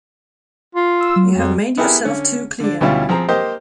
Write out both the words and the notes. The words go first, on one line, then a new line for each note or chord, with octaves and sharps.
You have made yourself too clear.
F4
E6
F#3
F2
B3 E4 G4 G#4 A#4
D3 C#4
D3 D4
D2 B2 G3 C#4 E4 F4
F3 C4 G#4 A#5
A#3 G4 C5 D#5